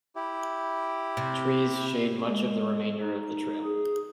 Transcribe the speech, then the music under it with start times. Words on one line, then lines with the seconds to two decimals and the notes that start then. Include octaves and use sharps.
Trees shade much of the remainder of the trail.
0.16 E4 G4
1.17 C3
2.28 G#3
3.02 D#4
3.64 G#4